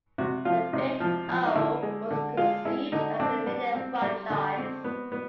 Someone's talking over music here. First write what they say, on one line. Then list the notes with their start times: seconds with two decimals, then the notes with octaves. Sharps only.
"The Big O" was conceived as a media franchise.
0.18 C3 F#4
0.45 F3 F4
0.73 C3 D#4
1.00 F3
1.28 F3
1.45 D#4
1.55 D3 E4
1.82 G#3
2.11 D3
2.37 G#3 F4
2.65 G#3 E4
2.92 D3 D#4
3.20 C4 D4
3.47 G3
3.75 C4
4.02 G3
4.30 D3
4.57 C4
4.84 B3
5.12 B3